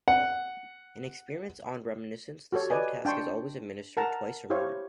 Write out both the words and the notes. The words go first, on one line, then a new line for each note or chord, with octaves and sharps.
In experiments on reminiscence the same task is always administered twice or more.
F#5
F#4 G4 A4 C#5
B4 D5 D#5 G#5
D4 G5 A5 C6 C#6
A#4 F#5 A5 A#5
E4 G4 C5 C#5 F5